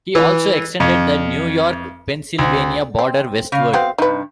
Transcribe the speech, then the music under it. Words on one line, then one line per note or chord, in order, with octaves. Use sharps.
He also extended the New York - Pennsylvania border westward.
E3
F2
D2
C4
C#3 F5
B3 C4 F#4 F5
G2 C3 D#4 B4